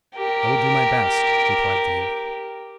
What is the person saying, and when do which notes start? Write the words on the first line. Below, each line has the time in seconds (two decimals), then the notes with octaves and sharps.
'I will do my best,' replied the youth.
0.15 G4 A#4